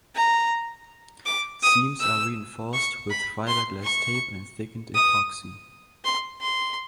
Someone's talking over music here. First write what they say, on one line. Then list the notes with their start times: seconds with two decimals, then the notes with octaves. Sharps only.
Seams are reinforced with fiberglass tape and thickened epoxy.
0.16 A#5
1.26 D6
1.63 D#6
2.00 E6
2.74 C#6
3.11 B5
3.48 C6
3.84 C#6
4.95 D#6
6.05 C6
6.42 C6